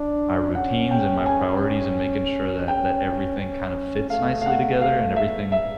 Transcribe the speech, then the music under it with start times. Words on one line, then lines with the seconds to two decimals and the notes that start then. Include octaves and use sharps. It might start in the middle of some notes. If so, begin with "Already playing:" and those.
my routines and my priorities and making sure that that everything kinda fits nicely together and everything
Already playing: D4
0.55 C#4 F#5
0.91 G5
1.26 G#5
2.68 C#4 G5
3.39 C#4
4.10 A3 F5
4.42 F5
4.46 F#5
4.81 F5
5.16 E5
5.52 E5